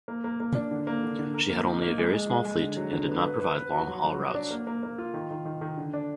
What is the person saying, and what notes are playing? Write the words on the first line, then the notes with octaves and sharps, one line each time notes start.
She had only a very small fleet and did not provide long haul routes.
A#3
A#3
A#3
D4
D3
A#3
D3
D3
A#4
A#3
D#4
A#3
G#3
G#3
G#3
G#3
D3
F#3
D3
B3
B4
B4
B4
F#4
F#3
F#3
F#3
D4
A#3
A#3
A#3
F4
D#3
D#3
D#3
D#3
D3
D4